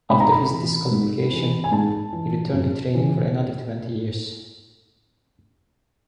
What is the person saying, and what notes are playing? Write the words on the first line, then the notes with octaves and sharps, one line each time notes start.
After his disqualification he returned to training for another twenty years.
G#2 B5
A#5
B5
E3
G#2
E3
G#5
G#2 A5
E3
F#2
C#3 E3